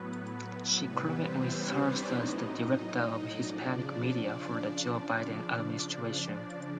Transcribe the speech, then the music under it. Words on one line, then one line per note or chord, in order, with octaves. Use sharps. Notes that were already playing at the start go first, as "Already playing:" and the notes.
She currently serves as the director of Hispanic media for the Joe Biden administration.
Already playing: A2 F#3 B3 B4
C3 E3 G3 B3 B4
C4 C5
C#4 C#5
D4 D5
A2 F#3 D#4 D#5
C#3 F3 D4 D5